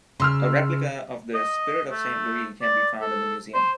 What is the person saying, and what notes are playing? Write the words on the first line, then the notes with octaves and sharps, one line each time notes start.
A replica of the "Spirit of Saint Louis" can be found in the museum.
C#3 C6 E6 F6
D#5
A3
D5
A4
C5